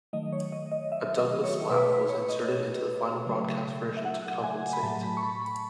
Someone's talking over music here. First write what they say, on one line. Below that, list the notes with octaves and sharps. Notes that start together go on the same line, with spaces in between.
A Douglass laugh was inserted into the final broadcast version to compensate.
D#3 F#3 A3 D#5
C#5
D#5
D#5
E5
D#5
C#5
B2 A3 B4
B4
C#5
D#5
C#3 F#3 A3
E5
F#5
G#5
B5
A2 F#3 A3 A5
B5
C#6
B5
B5